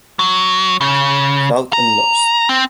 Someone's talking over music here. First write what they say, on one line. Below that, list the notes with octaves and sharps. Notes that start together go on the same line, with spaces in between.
Cloud and lost.
F#3
C#3
A#5
C4